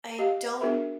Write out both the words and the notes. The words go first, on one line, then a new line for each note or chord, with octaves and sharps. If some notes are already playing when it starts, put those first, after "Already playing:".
I don't
G4 D#5 F5
B3 D4 F#4 G#4 A#4 E5